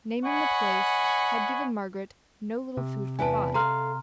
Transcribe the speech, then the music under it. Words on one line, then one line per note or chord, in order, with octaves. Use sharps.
Naming the place had given Margaret no little food for thought.
C#5 D#5 F#5 G#5 B5 C#6
C3
E2 E4 B4 G#5 A5
A4 F5 A#5 C6 F6